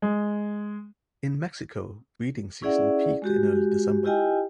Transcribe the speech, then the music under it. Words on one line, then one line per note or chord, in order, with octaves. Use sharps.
In Mexico, breeding season peaked in early December.
G#3
C#4 E4 G#4 D5 E5 F#5
G#3 F#4 G4
E4 F4 G4 D#5 G5 G#5